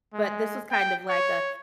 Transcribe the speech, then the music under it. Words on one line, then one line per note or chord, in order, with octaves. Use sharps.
but this was kind of like a,
G#3
G5
C#5